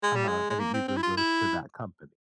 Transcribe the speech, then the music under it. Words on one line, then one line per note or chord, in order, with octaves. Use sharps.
Uh-huh. And it usually goes to that company.
G#3
G3
G#3
G#3
A#3
C4
C4
E4
F4
E4